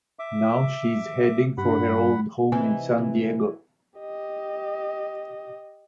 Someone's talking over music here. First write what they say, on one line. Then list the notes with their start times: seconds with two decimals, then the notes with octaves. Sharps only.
Now she is heading for her old home in San Diego.
0.19 E5 D6
1.57 G2 F#5 B5
2.52 C3 E3 D#4 G#5
4.00 G4 D#5